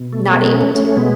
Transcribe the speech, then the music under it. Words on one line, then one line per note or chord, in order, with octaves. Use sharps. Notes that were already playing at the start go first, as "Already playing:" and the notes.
not able to.
Already playing: B2
A3
G#3 B3
A3 C#4
A3 C#4
B2 G#3 B3